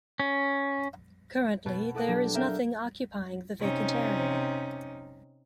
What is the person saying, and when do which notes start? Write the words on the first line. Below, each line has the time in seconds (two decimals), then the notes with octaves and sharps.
Currently, there is nothing occupying the vacant area.
0.20 C#4
1.66 B2 B3
1.95 E4 A4 D5 D#5 F#5
2.08 F#3 D4 G4
2.34 A#4 E5 F5 G5
3.61 C3 C#4 D#4